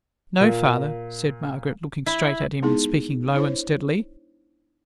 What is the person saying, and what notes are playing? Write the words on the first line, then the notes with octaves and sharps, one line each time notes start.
'No, father,' said Margaret, looking straight at him, and speaking low and steadily.
A#2
E4
G#3 B3 D#4 E4 G#4
D4 E4 C5 C#5